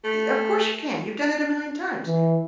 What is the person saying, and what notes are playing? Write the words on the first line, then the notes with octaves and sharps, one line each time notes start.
"E 'Of course, you can. You've done it a million times.
A3
E3